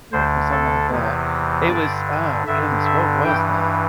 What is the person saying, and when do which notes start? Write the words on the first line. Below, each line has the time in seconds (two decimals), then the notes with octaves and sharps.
or something like that. It was uh, goodness. What was that?
0.12 D2 D3 C5
0.52 A4
0.90 E2 C3 E3
1.69 G2 D3 D5
2.47 G2 D3 E5
2.86 E5
3.24 G2 E3 G5